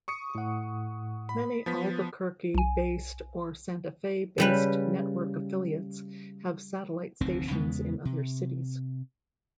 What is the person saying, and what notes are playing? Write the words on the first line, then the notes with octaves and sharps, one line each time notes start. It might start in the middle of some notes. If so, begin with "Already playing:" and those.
Many Albuquerque-based or Santa Fe-based network affiliates have satellite stations in other cities.
C#6 D#6 C#7
A2 F#5
B5
F3 B3 B6
B1 G#5
C#3 G3 B4
F1 D2 D#3 C4
E2 C#3 G#3 B3
C3